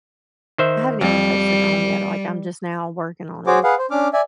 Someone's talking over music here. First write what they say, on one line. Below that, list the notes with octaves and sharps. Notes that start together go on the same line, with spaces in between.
I haven't even posted on 'em yet. Like, I'm just now working on 'em,
D#3 C5 E5
F2 G3
F#4 G#4 C5 C#5 D6
G#4 B4 F5 F#5
C5
C#4 D4 D6 F6
D5 E5 G#5